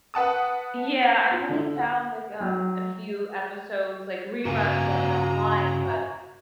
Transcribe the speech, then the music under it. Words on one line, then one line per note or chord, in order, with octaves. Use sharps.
Yeah, I've only found, like, um, a few episodes, like reruns of it online, but
B4 F#5 A5 D#6
F4
D3
F#5
F#3
G2 C#3 F#4 F5 G#5 A#5